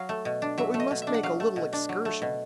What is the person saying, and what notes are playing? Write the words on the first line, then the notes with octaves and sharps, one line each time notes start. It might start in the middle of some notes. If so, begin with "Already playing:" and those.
But we must make a little excursion.
Already playing: F#3 F5
A3
B2
D4
F#3 E5
A3
D#5
B2
E5
D4
F#5
F#3 F5
A3
B2
D4
F#3
A3
B2